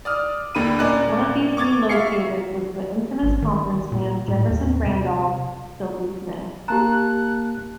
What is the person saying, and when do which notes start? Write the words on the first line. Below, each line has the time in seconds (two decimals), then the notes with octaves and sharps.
One of these relocators was the infamous confidence man Jefferson Randolph "Soapy" Smith.
0.05 D5 D#6 F6
0.55 D#2 D3 B5 D#7
0.79 A#2 C#4 D5 D#5 A#5 F#6
1.57 C#6 D6 G#6 A6
1.89 E5 F5 C#6 C7 C#7
3.23 G#1
3.42 D#3
3.92 A#2
4.28 A2
4.50 D#2
4.86 C3
6.68 A#3 G4 A5 A#5 F#6